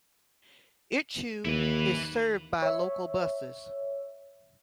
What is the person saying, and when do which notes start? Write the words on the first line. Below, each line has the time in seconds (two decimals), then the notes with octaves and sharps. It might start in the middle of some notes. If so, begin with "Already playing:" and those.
Ichiu is served by local buses.
1.45 D#2 E4 B4
2.62 C#5 E5